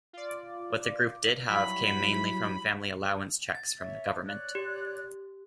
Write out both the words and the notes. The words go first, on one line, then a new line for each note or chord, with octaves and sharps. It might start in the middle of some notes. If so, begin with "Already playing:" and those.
What the group did have came mainly from family allowance cheques from the government.
F4 D5
F#3 G3 E4 B5
A6
C#5 E5
C#5 D5 F#6
G4